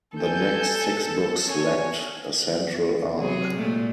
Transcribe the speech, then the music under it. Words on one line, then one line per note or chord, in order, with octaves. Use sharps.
The next six books lacked a central arc.
A4 G#5 G6
C#5 G#5
C3 F#3 G#4
A#2 G#3 A3